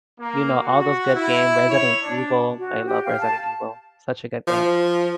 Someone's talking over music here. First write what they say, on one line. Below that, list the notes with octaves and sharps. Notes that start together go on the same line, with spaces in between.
you know, all those good games, Resident Evil- I love Resident Evil, such a good game.
A#3
F#4
E4
C#5
D4
F#4
G4
F5
A5
F3